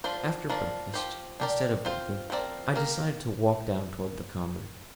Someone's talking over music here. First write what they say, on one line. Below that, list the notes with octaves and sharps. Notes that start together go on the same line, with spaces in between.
After breakfast, instead of working, I decided to walk down towards the common.
F3 D4 F4 C5
F3 D4 A#4 D5
F3 C4 G4 C5
D4 G4 A#4 D5
C4 F4 C5
F3 C4 A#4 D5
A#3 G4 A#4